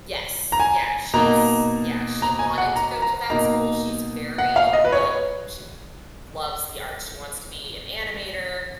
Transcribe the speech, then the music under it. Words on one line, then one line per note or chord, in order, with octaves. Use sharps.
Yes, yeah, she's yeah, she wanted to go to that school, she's very, like she l loves the art, she wants to be an animator
A#5
G#5
B2 A#3 D#4 A#5
A#5
G#5
F#5
A#5
A#5
B2 A#3 D#4 A#5
F#5
F5
D#5
B4
C#5